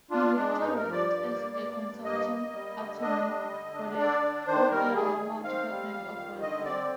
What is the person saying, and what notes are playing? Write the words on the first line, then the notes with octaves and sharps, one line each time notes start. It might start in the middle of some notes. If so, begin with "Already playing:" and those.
He later worked as a consulting attorney for the Oklahoma Department of Welfare.
D4 F4
G#3 D4
G2 D#4
A#4
F3
D5
G2
A#3
G2
G2
A#3 D#5
A#3
G3
D3
D4 D#5
G3
D3
D4
D3 D5
D4
D#3 C5
G3 A#4
D#3 G#4
D#3
C4 F5
G3
F2
D#3
D3 D#5
C4 D5